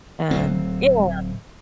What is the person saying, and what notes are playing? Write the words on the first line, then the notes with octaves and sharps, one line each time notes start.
Um, yeah.
D1 F#3 C4